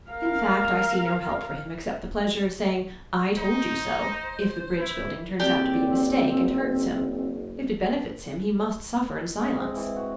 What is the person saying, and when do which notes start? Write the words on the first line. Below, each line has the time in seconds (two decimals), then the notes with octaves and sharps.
In fact, I see no help for him except the pleasure of saying 'I told you so' if the bridge-building turns out to be a mistake and hurts him; if it benefits him he must suffer in silence.
0.11 A#4 F5
3.37 D#4 C5
4.78 E4
5.40 F#1 C4 G4 D5
9.39 G#3
9.55 C4
9.75 E3
9.96 F#4